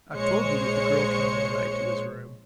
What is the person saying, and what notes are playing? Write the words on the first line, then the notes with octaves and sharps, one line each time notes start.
I have told you that the girl came one night to his room.
A#1 G#3 C5 C#5 C#7